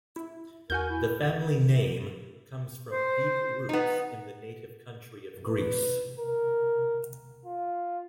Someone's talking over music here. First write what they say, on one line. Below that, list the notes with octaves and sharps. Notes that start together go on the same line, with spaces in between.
The family name comes from deep roots in the native country of Greece.
E4
E2 F#4 A#4 G#5 G6
E4
C5
B3 D#4
B4
A#4
F4